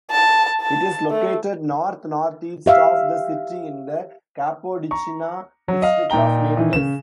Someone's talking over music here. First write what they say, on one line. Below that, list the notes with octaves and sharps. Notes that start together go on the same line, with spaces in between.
It is located north-northeast of the city in the Capodichino district of Naples.
A5
A5
A3
G4 E5 F5
A#5 C#6
F#3
D#5 F5
A#2 D#4 G5 A#5 G7
D#3 E3
C#3 E7